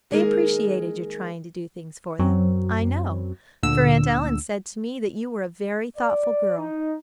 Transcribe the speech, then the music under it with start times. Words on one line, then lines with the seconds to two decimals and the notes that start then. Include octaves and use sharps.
They appreciated your trying to do things for them, I know, for Aunt Ellen said to me that you were a very thoughtful girl.
0.11 D#3 G#3 A#3 G#4 A#4
2.19 F#2 F#3 C4
3.63 D2 A#2 D3 E6
5.97 D5
6.58 D#4